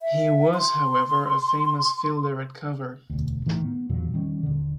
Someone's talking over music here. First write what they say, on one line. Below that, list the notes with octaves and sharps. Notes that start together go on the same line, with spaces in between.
He was however a famous fielder at cover.
E5
C6
E1 D2
A2 D#3 E3
B3
E2 A#2 D#3 F#3
D#3 G3 C#4
D#1 D3